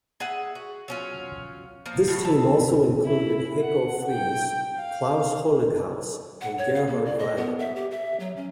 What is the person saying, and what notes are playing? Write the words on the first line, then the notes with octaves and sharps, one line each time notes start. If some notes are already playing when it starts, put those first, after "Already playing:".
This team also included Heiko Fries, Klaus Holighaus and Gerhard Waibel.
G#4 E5 F#5
F#4
F#3 C#4 F4
F3 A#3
A2 C#3
E5 A5
E4
F#5
G5
F5
F#5
C#5
F5
A#3
D5
D#5
B3
E5
G4
E5
F#3
C#4